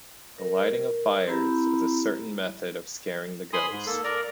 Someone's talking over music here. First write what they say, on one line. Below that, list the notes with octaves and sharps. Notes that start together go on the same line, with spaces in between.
The lighting of fires is a certain method of scaring the ghost.
A#4
C4 E4 G4 A#5 B5
G#5 B5 C6 D#6
G#2
A#3 A4
A#4 D5 A#5